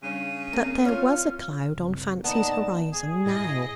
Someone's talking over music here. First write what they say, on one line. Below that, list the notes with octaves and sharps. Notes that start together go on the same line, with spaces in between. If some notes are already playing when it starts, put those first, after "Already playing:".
But there was a cloud on Fancy's horizon now.
C#3 G3 D4 C#5 D#7
A#3 C4 A#4
F4 C#5 F6
G1 C2 C#3
A#3 B3 D#4 D5 A5
D1 G#4
A2 E4 D#5 A#6